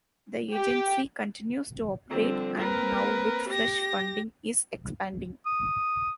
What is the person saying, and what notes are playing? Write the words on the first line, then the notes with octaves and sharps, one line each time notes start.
The agency continues to operate, and now with fresh funding, is expanding.
G4
D3 F3 G3 C4
A#3 C4 A#4 B4
G4 A#6
D#6